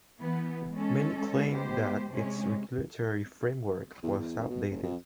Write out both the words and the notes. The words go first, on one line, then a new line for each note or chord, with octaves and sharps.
Many claimed that its regulatory framework was outdated.
E3 B3
G#3 C#4 A4
G#3 B3 G4 C5
C3 G#3 C#4
E2
E2
F1
B2
F#1
F2